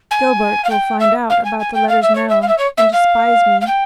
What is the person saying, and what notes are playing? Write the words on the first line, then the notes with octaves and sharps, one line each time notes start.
"Gilbert will find out about the letters now, and despise me."
G#5
F5
G5
E5
F5
G#5
G#5
G5
F5
E5
C#5
E5
F5
E5
C#5
E5
F5
F5
G5